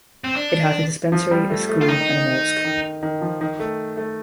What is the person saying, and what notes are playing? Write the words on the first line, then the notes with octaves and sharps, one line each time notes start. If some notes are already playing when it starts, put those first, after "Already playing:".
It has a dispensary, a school and a mosque.
C4
D4
F3
G3
A3
A3
F4
D#3 D#4
D#3
D#3
F3
D#3
A3
A3